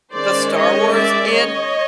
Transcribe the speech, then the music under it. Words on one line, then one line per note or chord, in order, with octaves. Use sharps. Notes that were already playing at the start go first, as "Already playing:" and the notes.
the Star Wars, and,
D#3 G#3 C#4 C5 D5
C#5 D#5
D5 E5
C#5 D#5